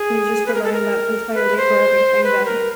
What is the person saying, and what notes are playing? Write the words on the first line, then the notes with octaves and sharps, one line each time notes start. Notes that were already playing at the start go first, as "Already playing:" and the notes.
and you just rely on that entirely for everything then
Already playing: G#4
B4
A#4
A4
A#4
B4
C5
B4
A#4